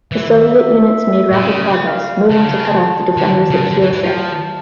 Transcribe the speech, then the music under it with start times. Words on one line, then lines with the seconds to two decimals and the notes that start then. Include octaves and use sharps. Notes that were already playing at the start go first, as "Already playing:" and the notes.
The Soviet units made rapid progress, moving to cut off the defenders at Kielce.
0.12 E3 E5
1.33 A#2
1.43 C#3
1.87 F5
2.29 C#3 A5
2.40 D3
2.51 C#3
3.17 D3
3.50 C#3
3.60 D3
3.71 D3
3.82 E3
3.93 E3
4.03 F3 A5